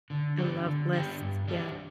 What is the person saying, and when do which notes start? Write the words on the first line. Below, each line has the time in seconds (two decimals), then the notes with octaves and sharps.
I love lists. Yeah.
0.10 D3
0.38 B3 D4 G4
0.66 D3
0.93 B3 D4 G4
1.21 G2
1.48 E3 G3 D4 G4